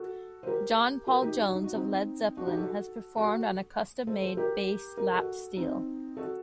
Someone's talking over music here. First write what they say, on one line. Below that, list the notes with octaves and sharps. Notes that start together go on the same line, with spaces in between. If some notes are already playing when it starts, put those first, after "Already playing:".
John Paul Jones of Led Zeppelin has performed on a custom-made bass lap steel.
Already playing: F#4 A4
C5
G4 A#4
G4 A#4
D#4 G4
D4 F#4
D#4
F#4
C4 D#4
D4 F#4
D#4 G4
F#4 A4
F#4 A4
A4 C5
A4 C5
G4 A#4
G4 A#4
F#4 A4
C4 D#4
F#4 A4